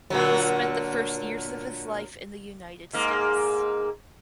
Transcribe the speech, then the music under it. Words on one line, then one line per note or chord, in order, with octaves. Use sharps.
He spent the first years of his life in the United States.
A#2 D3 F#3
G#2 A#3